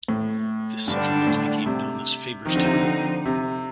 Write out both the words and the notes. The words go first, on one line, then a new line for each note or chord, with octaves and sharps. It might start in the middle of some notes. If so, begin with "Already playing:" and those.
This settlement became known as Faberstown.
A2
G2 D3 G3 D4
A2
C3
D#3 F3 C4 D#4
D3
C3
D3
C3